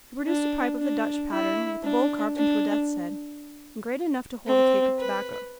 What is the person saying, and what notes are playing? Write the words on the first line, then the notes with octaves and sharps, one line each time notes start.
He produced a pipe of the Dutch pattern, with a bowl carved into a death's head, and great enough to hold a cake of tobacco.
D4
D4
E4
D4
D4
C4
B4